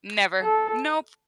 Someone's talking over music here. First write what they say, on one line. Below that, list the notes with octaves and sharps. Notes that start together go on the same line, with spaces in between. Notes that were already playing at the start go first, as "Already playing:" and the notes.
Never. Nope.
A4